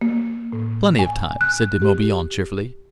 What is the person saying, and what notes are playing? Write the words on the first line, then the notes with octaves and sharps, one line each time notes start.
"Plenty of time," said De Morbihan cheerfully.
A#3
A2
G#5
F#6
G4